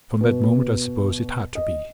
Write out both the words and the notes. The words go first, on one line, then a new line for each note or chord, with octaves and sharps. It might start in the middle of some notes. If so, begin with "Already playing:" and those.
From that moment, I suppose, it had to be.
B2
D#5